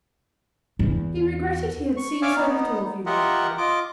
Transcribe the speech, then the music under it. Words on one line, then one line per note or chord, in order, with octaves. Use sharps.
He regretted he had seen so little of you lately.
E2
C#6
C#5 D5 E5 F5 G#5 D6
B3 D#4
F4 G4 A#4 D#5 E5 F#5
F4 D#5 D6